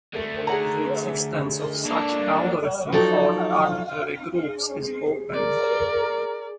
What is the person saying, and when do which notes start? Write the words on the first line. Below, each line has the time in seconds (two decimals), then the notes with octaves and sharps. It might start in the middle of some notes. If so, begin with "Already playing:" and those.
The existence of such algorithm for arbitrary groups is open.
0.13 D3 A3
0.47 G#4 F#5 A#5
1.85 A#3 D4 A4
2.92 F3 F#3 D#4 A4 D5
4.46 G#4
5.34 A#4 D5